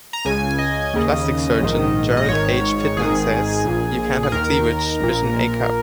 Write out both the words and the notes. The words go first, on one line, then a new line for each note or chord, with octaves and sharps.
Plastic surgeon Gerard H. Pitman says, you can't have cleavage with an A cup.
A#5
C#2 C#3 G#5
D#5
D#2 C#3
A#1 G#2 D#3
D#5
G#1 G#2 D#3 C#5
G#1 G#2 D#3 G#4
A#1 A#2
G#4
D#2 D#3 A#4
A#1 A#2